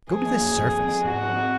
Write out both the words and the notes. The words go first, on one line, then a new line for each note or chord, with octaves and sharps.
Go to the surface.
F3 G#4
A#3
F#2
F3
C4
F3
G#2 F#4
C4
C4